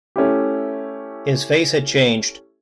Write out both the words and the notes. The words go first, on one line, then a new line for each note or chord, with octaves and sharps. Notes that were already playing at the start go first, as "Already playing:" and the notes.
His face had changed.
A3 C#4 E4 G4